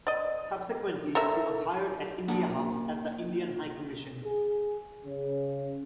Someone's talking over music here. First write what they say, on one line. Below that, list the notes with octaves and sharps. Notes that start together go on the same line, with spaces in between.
Subsequently, he was hired at India House, at the Indian High Commission.
D5 D#5
A4 A#4 E5
A#3 D4 F#5 A5
G#4
C#3